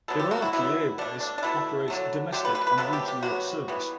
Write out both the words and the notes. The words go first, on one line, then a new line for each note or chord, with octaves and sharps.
Iraqi Airways operates domestic and regional service.
D3 F#3 B3 A4
G4
F#4
E4
D3 F#3 B3 E4
B2 A3 D4
D4
D4
B2 A3 E4
D3 F#3 A3
D3 F#3 A3 G4
B4
B4
B4
C3 F#3 B3 A4
G4
G4
C3 F#3 B3 F#4
E3 G3 B3